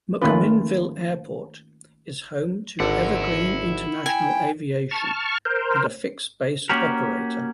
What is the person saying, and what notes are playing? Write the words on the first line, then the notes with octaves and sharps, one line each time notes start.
McMinnville Airport is home to Evergreen International Aviation and a fixed-base operator.
D#3 A3 A#3 C#4 F4 B4
G#1 D3 E4 D5 F#5
G5 G#5
A5 C#6 F6
A#4 C5
A#3 C#4 F#4 G4 A#4